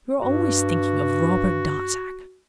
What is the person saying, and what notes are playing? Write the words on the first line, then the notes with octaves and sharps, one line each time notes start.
You are always thinking of Robert Darzac.
G2 F#4